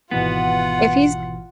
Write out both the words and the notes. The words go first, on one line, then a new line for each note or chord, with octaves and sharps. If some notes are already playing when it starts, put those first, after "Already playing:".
if he's
G#1 B2 E3 B3 F4 F#5